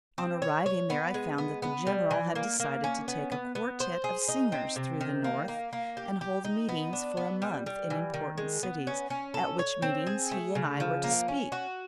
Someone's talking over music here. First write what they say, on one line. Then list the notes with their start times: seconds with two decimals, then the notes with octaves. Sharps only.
On arriving there I found that the General had decided to take a quartette of singers through the North, and hold meetings for a month in important cities, at which meetings he and I were to speak.
0.18 C4
0.42 C#5
0.66 C#5
0.90 B3
1.14 G#3
1.38 B3
1.62 B3
1.87 G3
2.11 E3
2.35 A#3
2.60 A#3
2.84 C#4
3.08 B3
3.32 B3
3.55 B3
3.80 C5
4.04 G#4
4.29 D#4
4.52 C4
4.76 C3
5.01 D#3
5.24 A#3
5.48 A#3
5.73 A#3
5.97 G4
6.21 G4
6.45 D#4
6.69 B3
6.93 D4
7.17 B3
7.42 G3
7.66 G3
7.90 E3
8.14 D#3
8.38 G#3
8.63 B3
8.87 C#4
9.10 C#4
9.34 A4
9.59 C#5
9.82 C4
10.07 G#4
10.31 A3
10.55 C#3
10.80 F3
11.04 A#3
11.28 C#4
11.52 F#4